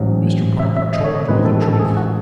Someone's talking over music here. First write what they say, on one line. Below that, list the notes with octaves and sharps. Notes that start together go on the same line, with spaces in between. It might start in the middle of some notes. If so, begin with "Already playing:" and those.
Mr. Parker told you the truth.
Already playing: A1 G#2 F#3
E5
E5
D#5
C#5
D#5
A1 G#2 D#3 G#3 B4
A4
A4
A4
G#4
F#4